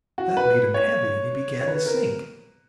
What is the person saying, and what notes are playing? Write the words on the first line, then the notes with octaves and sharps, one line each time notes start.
That made him heavy and he began to sink.
F#4
B4
C#5
C#5
B4
A#4